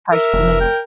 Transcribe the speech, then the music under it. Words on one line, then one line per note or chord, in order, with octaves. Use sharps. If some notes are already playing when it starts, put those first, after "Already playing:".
Partridge Family.
A#4 E5
F1
G5